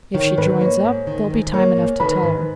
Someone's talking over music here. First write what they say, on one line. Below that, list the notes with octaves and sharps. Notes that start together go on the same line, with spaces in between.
If she joins up, there'll be time enough to tell her.
D#3 C#5
G#2 B4
A#3 C#5
G#2
D#3
G#2
A#3 C#5
G#2
D#3 B4 B5
G#2